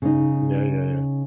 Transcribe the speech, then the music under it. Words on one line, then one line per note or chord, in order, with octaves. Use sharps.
Yeah, yeah, yeah.
C#3 D#4